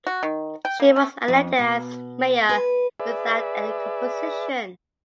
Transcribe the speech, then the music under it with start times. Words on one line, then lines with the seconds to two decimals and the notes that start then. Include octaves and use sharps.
She was elected as Mayor without any opposition.
0.07 F#4
0.23 D#3
0.65 G5
0.80 A#3
0.96 A3
1.28 F2
1.59 B2
2.49 B4
3.00 G#4 B4 D5 E5